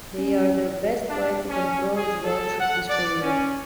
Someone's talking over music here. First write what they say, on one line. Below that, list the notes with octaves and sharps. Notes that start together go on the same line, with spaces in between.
They are their best poetic and prose works of this period.
C#4
D4
C#4
G#4
A4
F#5
D5
C#4